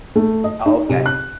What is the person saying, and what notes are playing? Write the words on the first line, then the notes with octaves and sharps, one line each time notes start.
Oh, okay.
A3
D#5
D#4
C3
F#6